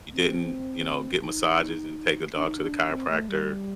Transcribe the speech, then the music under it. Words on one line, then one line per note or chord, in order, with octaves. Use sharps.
You didn't, you know, get massages and take the dog to the chiropractor,
C4
D#4
D4
D#4
D4
C4
A3
G3